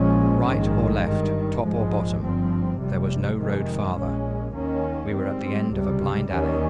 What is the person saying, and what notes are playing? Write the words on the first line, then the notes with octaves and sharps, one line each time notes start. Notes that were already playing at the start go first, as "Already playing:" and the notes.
Right or left, top or bottom, there was no road farther; we were at the end of a blind alley.
Already playing: A#1 A#2 F3 G#3 C#4
A#1 G#2 D#3 G#3
G1 G2 D#3
A#1 G#2 F3 G#3
G1 G2 F3 C4
F1 F2 C3 G3
F2 C3 D#3 G#3
A#1 A#2 G#3 C#4
D#2 D#3 A#3 C#4
G#2 G3 C4
C#2 C3 G3
D#2 D#3 G3 C#4